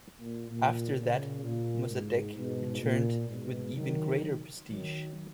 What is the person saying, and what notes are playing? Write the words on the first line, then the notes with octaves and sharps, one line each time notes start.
After that, Mossadegh returned with even greater prestige.
A#2
A#2
A#2 C#3
A#2
G#2
G#2 B2
A#2
G#2 B2
D#3 F#3
D#3 F#3